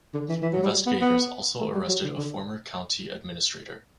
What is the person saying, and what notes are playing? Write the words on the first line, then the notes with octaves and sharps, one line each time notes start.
Investigators also arrested a former county administrator.
D3
E3
E3
F#3
G3
B3
B3
A3
G3
F#3
D3
D3